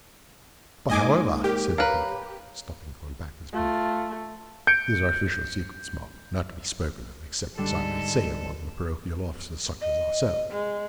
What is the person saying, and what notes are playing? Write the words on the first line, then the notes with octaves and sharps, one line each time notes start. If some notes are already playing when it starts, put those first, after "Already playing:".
But, however,' said the beadle, stopping to unpack his bundle, 'these are official secrets, ma'am; not to be spoken of; except, as I may say, among the porochial officers, such as ourselves.
G#3 A#3 D#4 D#5 G#5 D6
G4 A#4
A#4 B4 C#5 F5 A#5
A3 F4
G6 C#7 D7
G#2 D3 G3 D4 A4
D#5
G#3